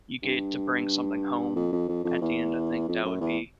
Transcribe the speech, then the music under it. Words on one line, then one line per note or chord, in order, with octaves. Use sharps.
you get to bring something home at the end, I think that would be
G2
F2
F2
F2
F2
E2
F2
F#2
E2